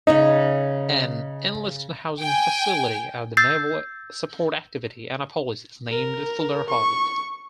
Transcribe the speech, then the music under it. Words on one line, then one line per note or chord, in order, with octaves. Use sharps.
An enlisted housing facility at the Naval Support Activity Annapolis is named Fuller Hall.
C#3 D#4 C#5 E5
G5 G#5
E6 G6 A6 C7
A#4
C#6